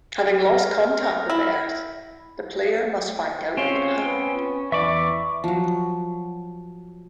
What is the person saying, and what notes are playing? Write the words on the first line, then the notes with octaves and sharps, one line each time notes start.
Having lost contact with the Earth, the player must find out what happened.
A#4
E4
C#3 C4 C#4 F4
B3
E2 E3 D5 E5 C#6 D6
F3 F#3